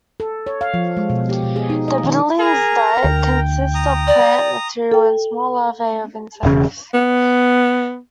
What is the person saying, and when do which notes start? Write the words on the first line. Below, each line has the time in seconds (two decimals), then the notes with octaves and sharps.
The bitterling's diet consists of plant material and small larvae of insects.
0.20 A4
0.47 C#5
0.61 F5
0.74 F3
0.97 G#3
1.10 B2
1.29 G4
1.43 B2
1.56 G#4
1.70 D#4
1.88 D#5
2.04 D#3
2.39 G#4 A#4 A#5
3.04 D2 G5
3.75 A#5 D#6
4.07 D5
4.92 A4 G5
6.43 E1 C#3
6.94 B3